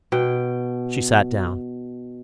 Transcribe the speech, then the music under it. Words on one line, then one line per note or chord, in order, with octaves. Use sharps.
She sat down.
B2 G5